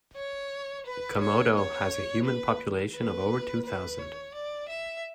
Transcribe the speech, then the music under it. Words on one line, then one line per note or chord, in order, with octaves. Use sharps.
Komodo has a human population of over two thousand.
C#5
B4
C#5
C#5
B4
B4
B4
C#5
D5
E5